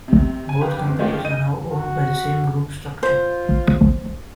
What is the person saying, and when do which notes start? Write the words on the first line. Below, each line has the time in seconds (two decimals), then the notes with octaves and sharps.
Both companies are now owned by the same group structure.
0.08 C3
0.49 G#5
0.61 G4 B4 F5
0.84 G1 C4
0.99 G#3 A3 C#4 F4 G4
1.24 D#5 G6 D#7
1.70 F#4
3.03 F4 C5